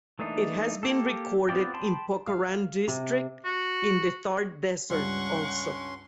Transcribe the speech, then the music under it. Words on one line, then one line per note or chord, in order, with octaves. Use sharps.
It has been recorded in Pokaran district in the Thar desert also.
E3 A3 A#3 D4 D#4
A#3 G4 A4
B3 C4 F4 D5 G5
G5 A5 B5 C6
F5
C3
F#4
C#2 G2 G3 C#4 F#5 C6 C#6